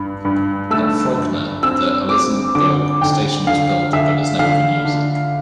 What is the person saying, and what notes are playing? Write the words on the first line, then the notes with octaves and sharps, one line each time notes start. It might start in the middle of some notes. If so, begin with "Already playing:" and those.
At Frogner, the Elisenberg Station was built, but has never been used.
Already playing: G2
G2
A3 E6
G2
C4 E6
C4 D6
D3 D6
D3 G5
D3 F5
D3 E5
D3 F5
D3